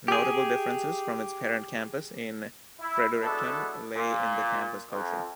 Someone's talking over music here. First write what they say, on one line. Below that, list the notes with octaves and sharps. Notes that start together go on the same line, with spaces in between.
Notable differences from its parent campus in Fredericton lay in the campus culture.
G4 G#4
E4
G#3 B3 D4 E4 F#4 A4
A#2
F2